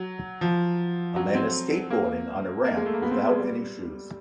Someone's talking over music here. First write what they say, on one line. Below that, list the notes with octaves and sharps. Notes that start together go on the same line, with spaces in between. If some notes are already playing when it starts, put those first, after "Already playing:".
A man is skateboarding on a ramp without any shoes.
Already playing: F#3
F3
F#3
C4
A#3
A#3
G#3
A3
A#3
B3
C4
B3
G#3
G3